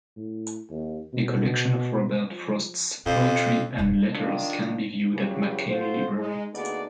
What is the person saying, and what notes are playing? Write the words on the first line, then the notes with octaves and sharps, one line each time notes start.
A collection of Robert Frost's poetry and letters can be viewed at McCain Library.
A2
D#2
B2
F3
F2 B2
E1 F2
D#3 D4 F4
E2 C#3 F#3 G4 B4
F4 F#4 A4 C5
G#3 D#4
D2 A#3 B3 D#4 G#4 D5